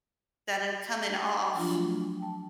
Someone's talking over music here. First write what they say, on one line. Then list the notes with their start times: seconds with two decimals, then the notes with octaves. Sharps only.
that I'm coming off
1.55 F3 F#3 D4 F4
1.69 A3 F4 F#4
2.20 G5 A5